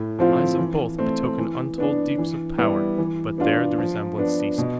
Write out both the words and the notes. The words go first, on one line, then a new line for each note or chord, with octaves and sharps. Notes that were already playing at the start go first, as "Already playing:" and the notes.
Eyes of both betokened untold deeps of power, but there the resemblance ceased.
Already playing: A2
F3 C4 F4
E3
A3 C4
E3
B3 D4
E3
G3 B3 E4
E3
B3 D4 F4
F3
B3 D4
B2